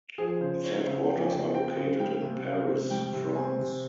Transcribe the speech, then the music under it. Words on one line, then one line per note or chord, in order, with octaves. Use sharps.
Its headquarters are located in Paris, France.
F3 G#4
C#3 C5
C4 C#5
C#3 E5
F3 G5
G#5
C#3 G5
C4 G5
C#3
G3 G5
C3
C4 F5
C3
G3 G5
C3
C4 G#5
C3